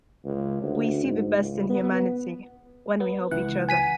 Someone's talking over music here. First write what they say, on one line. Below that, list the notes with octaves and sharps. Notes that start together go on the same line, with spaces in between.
We see the best in humanity when we help each other.
C#2
D2
G#2
C#2
B3
B3
C#2 E3 F#5
G#5 B6 D#7